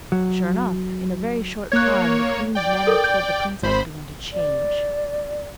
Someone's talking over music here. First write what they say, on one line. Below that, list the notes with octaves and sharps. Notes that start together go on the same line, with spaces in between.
Sure enough, in a very short time the queen's manner towards the princess began to change.
F#3
A#3 C#5 F#6 G#6
D5 G5
A4 A#4
G6
G#1 C5 B5
D5